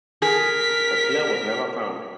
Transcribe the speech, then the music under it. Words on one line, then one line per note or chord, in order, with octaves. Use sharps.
Her killer was never found.
G#4 A#4 B6